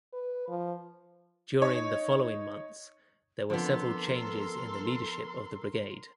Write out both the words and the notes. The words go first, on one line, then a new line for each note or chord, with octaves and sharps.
During the following months there were several changes in the leadership of the brigade.
B4
F3
D#4 C#5
D3 F3 B3 C4 A4 A#4 C6